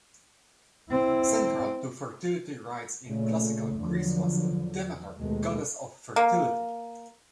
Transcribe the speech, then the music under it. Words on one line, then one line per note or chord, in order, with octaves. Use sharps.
Central to fertility rites in classical Greece was Demeter, goddess of fertility...
C4 E4
A#2 C#3 A3
E2 D3 F3 F#3
D#2 B2 G#3 A3
A#3